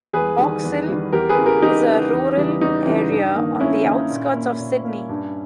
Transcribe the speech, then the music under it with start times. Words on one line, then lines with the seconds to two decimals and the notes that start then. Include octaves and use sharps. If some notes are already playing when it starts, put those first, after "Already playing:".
Box Hill is a rural area on the outskirts of Sydney.
0.13 E2 G#4 B4
0.38 D#3 G3
0.63 E2
0.88 D#3 G3
1.12 E2 G4 A#4
1.29 G#4 B4
1.38 C#3 E3
1.46 G4 A#4
1.62 E2 D#4 G4
1.87 C#3 E3
2.12 E2
2.37 C#3 E3 G3
2.61 E2 D#4
2.86 C#3 E3 G3
3.11 G2
3.35 D#3 A#3
3.60 G2 C#4 E4
3.85 D#3 A#3
4.10 A#2
4.35 A#3
4.60 A#2
4.85 A#3
5.09 G2